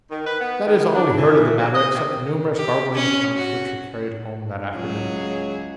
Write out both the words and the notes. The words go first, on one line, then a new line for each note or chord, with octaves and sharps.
That is all we heard of the matter except the numerous garbled accounts which were carried home that afternoon.
D#3
B4
B3
D#3
D4
E3
F#3
D#5
C3
G4
C#4
F#4
C#2 F#3 G#4